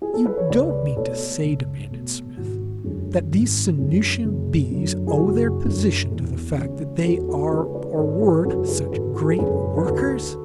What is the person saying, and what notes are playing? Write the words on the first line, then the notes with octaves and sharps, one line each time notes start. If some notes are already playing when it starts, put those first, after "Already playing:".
"You don't mean to say," demanded Smith, "that these Sanusian bees owe their position to the fact that they are, or were, such great workers?"
G#4
A4
B4
C#5
C#2 B4 D5
B2 A3 A4 C#5
C#2
B2 A3
G#1 F#4
F#2 D3 G#3 C#4
G#1
F#2 D3 G#3 C#4
F#1
F#2 D3 F#3
G#4
F#1 F#4
F#2 D3 F#3
E2
C#3 G#3 C#4
E2 F#4 A4
F#4 A4
C#3 G#3 C#4 G#4 B4
B4 D5
G#1 A4 C#5
C#5
G#4 B4
F#2 C#3 G#3 C#4 F#4 A4
G#4 B4
G#1 F#4 A4
F#4
G#4
A4
F#2 C#3 G#3 C#4 G#4 B4
B4
D2 F#4 A4